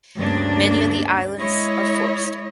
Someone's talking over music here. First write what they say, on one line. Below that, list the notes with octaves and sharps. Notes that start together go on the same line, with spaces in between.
Many of the islands are forested.
D2 G2 C#3 A#3 D4 D5
G#3 E4 C#5 D#5